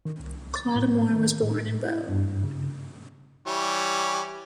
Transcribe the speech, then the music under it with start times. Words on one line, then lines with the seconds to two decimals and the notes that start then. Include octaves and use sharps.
Clodumar was born in Boe.
0.05 D#3
0.19 C2
0.56 A6
0.75 A2
1.12 D#3
1.42 A2
1.84 E4
2.09 G2
2.44 C#3
3.46 E3 G3 C#5